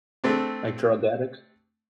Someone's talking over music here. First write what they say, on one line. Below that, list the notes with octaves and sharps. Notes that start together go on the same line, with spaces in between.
Like, drug addicts,
A3 C4 D4